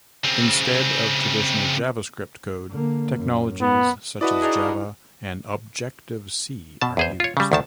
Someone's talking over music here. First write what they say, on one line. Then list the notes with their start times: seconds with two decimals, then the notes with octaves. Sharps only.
Instead of traditional JavaScript code, technologies such as Java and Objective-C are used.
0.24 C#3 C4
2.70 D3 A#3
3.17 F#2
3.61 B3
4.21 E4 F#4 B4 D5 D#5 A5
4.42 D4 D#4 G#4 F6
6.82 B2 A5
6.97 E2 G#4 C5
7.20 F4 C#5
7.37 C#3 G3
7.52 D2 D#3 A5